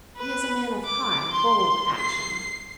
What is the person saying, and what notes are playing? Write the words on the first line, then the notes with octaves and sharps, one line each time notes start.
He is a man of high, bold action.
B4
D6
C6
C7